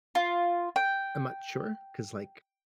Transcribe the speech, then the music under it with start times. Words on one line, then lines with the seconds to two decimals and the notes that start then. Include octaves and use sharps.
I'm not sure 'cause, like
0.15 F4
0.76 G5